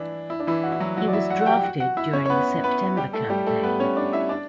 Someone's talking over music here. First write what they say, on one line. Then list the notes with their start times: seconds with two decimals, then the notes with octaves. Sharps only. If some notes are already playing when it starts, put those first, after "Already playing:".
He was drafted during the September campaign.
Already playing: E3 D4 E4
0.30 E4
0.40 D4
0.47 E3 E4
0.64 F#4
0.72 E4
0.80 F#3 F#4
0.97 F#3 F#4
1.08 D5
1.13 E4 E5
1.30 F#4 F#5
1.41 F#5
1.46 G4 G5
1.63 F#4 F#5
1.80 F#4 F#5
1.97 E4 E5
2.13 C#4 C#5
2.26 C#5
2.29 B3 B4
2.64 B3 B4
2.97 G3 G4
3.13 A3 A4
3.29 G3 G4
3.47 A3 A4
3.63 B3 B4
3.80 C#4 C#5
3.97 D4 D5
4.13 E4 E5
4.29 D4 D5